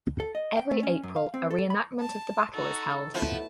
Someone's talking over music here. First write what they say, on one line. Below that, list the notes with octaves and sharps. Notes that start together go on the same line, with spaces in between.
Every April, a reenactment of the battle is held.
A4
D#5
G5
A3
C#4
F#2
F5
C4
A4
B5
A5
D#4 F#4 A4
B1 F3 A3 B3 E4 A5